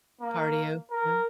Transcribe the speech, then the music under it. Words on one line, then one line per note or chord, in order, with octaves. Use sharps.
Cardio? No.
A#3
A#4